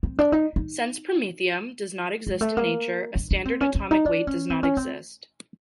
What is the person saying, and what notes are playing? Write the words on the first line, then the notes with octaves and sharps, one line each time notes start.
Since promethium does not exist in nature, a standard atomic weight does not exist.
C4
D4
D#4
D#4
G#3
A3
A#3
D4
D4
C4
C#4
C#4
D#4
D4
C#4
C4
C#4
C4